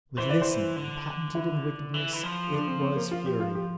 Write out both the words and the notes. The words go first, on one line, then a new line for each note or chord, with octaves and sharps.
With this man, patented in wickedness, it was fury.
E3 C5
D5
C5
D3
E4
E3
E3
F3
D4
C4
C4
A#3
F4
G4
F4
G4